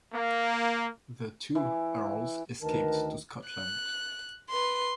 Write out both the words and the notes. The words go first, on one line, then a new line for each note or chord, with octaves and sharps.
The two Earls escaped to Scotland.
A#3
E3
D2 D#3 A#4 B4 A5
F#6
B4 C6